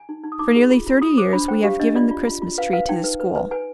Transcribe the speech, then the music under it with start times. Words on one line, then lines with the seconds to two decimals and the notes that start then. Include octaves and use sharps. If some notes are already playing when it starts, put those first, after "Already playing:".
For nearly thirty years we have given the Christmas tree to the school.
Already playing: G#5
0.09 D#4
0.24 D#4
0.32 D#6
0.39 D#4 D6
0.56 G#4
0.71 F4
0.86 F4
1.02 F4 D#6
1.18 C5 D6
1.33 D4 B5
1.48 C5 G5
1.64 G4 F5
1.80 D4 D#5
1.95 F4 D5
2.11 F4
2.27 F4
2.42 F4
2.58 B4 F5
2.73 B4 F5
2.89 D#4 G5
3.04 B4
3.20 B4
3.35 B4
3.51 B4 G#5